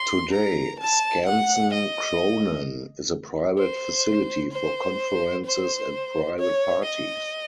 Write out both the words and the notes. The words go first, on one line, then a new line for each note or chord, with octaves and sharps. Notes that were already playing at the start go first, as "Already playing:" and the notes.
Today Skansen Kronan is a private facility for conferences and private parties.
Already playing: C6
A#5
A5
F#5
D#5
C5
C5
C5
C#5
D#5